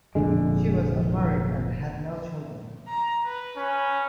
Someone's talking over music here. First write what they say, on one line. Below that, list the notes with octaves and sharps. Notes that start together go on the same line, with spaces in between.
She was unmarried and had no children.
F1 A#1 D3 G#3
A#5
B4
C#4